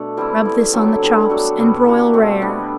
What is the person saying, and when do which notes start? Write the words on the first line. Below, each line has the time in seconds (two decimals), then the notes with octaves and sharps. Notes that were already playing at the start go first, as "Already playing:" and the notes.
Rub this on the chops and broil rare.
Already playing: B2 A3 D4
0.17 E3 G3 C4 E4
0.45 E3 B3 E4
0.73 D3 F#3 C4
1.01 E3 G3 B3
1.29 F#3 A3 D4 F#4
1.57 C3 G3 B3
1.85 E3 B3 F#4
2.14 B2 A3 C4 F#4
2.41 G3 B3 D4